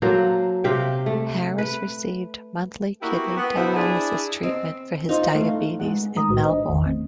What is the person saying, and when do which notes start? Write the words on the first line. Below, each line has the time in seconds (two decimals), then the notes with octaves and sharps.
Harris received monthly kidney dialysis treatment for his diabetes in Melbourne.
0.02 F#3 A#3 A4 C5
0.64 C3 E5 F5 G5
1.06 A3
1.58 B4
3.01 A#3 B3 E4 F#4 G4
3.37 B3
3.56 B2 D3 E3 E4 C5 E5
3.75 D4 E4 G#4
4.43 C4 D#5
5.09 D#4 F4 C5
5.31 A3 F5
5.80 G#3 D#4 F#5
6.15 G#3 A3 D#4 A#5 D#6
6.29 B1 A2 F#4 B4
6.43 D4 C5 D#5
6.69 G#1 E2 D#3
6.86 A3 C4